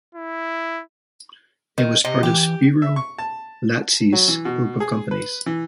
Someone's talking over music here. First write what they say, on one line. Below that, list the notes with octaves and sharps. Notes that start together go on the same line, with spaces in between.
It was part of Spiro Latsis group of companies.
E4
D#3
C3 D#5
E3 G4
E5
C#6
A5
F#3
E3
B2
G#4
B4
E3